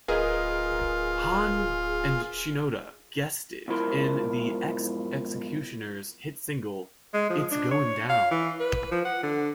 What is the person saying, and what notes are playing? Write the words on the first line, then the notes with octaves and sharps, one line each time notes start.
Hahn and Shinoda guested in The X-Ecutioners' hit single "It's Goin' Down".
D1 F4 G#4 A#4 B4 D#5
B1 G#2 F3 E4 A#4 C6
G#3
F3
D4
C#5
F5
E3
B4
F3
F#5
D3